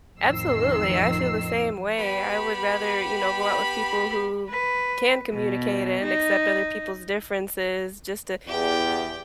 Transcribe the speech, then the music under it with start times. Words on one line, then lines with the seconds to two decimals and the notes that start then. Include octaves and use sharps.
Absolutely, I feel the same way. I would rather, you know, go out with people who can communicate and accept other people's differences just to
0.20 A1 F2 D#3 E6 C7
1.99 B3 G4 G5 B5
4.50 B4
5.33 B2
6.03 D#4
8.47 E2 G4 G5